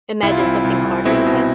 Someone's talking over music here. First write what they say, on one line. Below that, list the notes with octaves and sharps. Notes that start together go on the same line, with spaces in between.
Imagine something harder, you said?
C2 E4
F4
C2 C4 E4
C2
C2
B2 C4 E4
B2